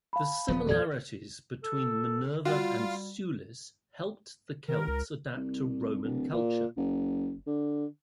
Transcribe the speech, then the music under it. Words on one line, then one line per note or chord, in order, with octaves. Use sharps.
The similarities between Minerva and Sulis helped the Celts adapt to Roman culture.
F5 A5 B5
D#1 F3 B3
E2 A#2 D#3 A4 D5 G#6
A4
G3 F4 F#4
D#3 A#4
C#2
C2
D1
A#2
F#1
D3